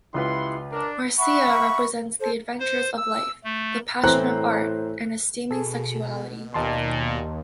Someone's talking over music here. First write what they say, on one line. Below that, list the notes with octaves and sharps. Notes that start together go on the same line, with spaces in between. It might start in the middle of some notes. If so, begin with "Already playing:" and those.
Marcia represents the adventures of life, the passion of art and a steaming sexuality.
C#2 E4 F4 G4 B4 F#5 C6
D4 A#4
E5 F#5 B5 C#6
A4 C5
C5
E6
A3
A2 E3 C4 C5 A#5 F#6
B2 G#4 A4
D#2 A#2 D#5 A5 C6